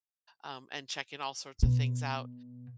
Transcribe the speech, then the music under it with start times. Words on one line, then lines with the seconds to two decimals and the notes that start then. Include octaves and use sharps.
um, and checking all sorts of things out.
1.63 B2